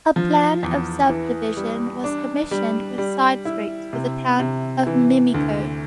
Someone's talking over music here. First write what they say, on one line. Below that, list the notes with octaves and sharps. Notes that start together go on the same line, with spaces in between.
A plan of subdivision was commissioned with side-streets for the 'Town of Mimico'.
F3
E2
E3
G3
D4
G3
G3
E4
C3
C3
E3
D2